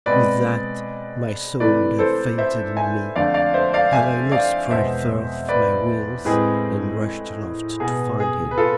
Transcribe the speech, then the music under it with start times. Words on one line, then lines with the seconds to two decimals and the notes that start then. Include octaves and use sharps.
With that my soul would have fainted in me, had I not spread forth my wings and rushed aloft to find him.
0.06 B2 G#3 C4 B4 D5
1.60 C3 E3 A3 B4 D5
1.99 A4 C5
2.38 C5 E5
2.76 E5 G#5
3.16 F2 D3 A3 D5 F5
3.34 D5 F5
3.54 C5 E5
3.74 D5 F5
3.92 E5 G#5
4.32 D5 F5
4.71 E2 B2 G#3 C5 E5
5.49 B4 D5
6.25 A2 G#3 C4 G#4 B4
7.80 B2 B3 G#4
8.20 G#4
8.51 B4
8.58 F4 A4